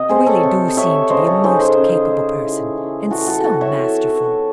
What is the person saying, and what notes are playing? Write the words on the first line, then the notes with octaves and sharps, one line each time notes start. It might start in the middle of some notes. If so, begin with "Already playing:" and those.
You really do seem to be a most capable person--and so masterful!
Already playing: C3 D#5
C4 G#4 C5
A4 C#5
C3
C3 C#5 E5
C#3 C5 D#5
A4 C#5
D#4 G#4 C5
G#4 C5
C#3
D#4
E4
E3
E3 F#4 A4
F#4 A4
C4 F#4 A4
C#5 E5
E3
E3